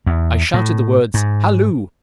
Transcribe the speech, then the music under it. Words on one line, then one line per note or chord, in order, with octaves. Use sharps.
I shouted the words 'Halloo!
E2
A2
G#2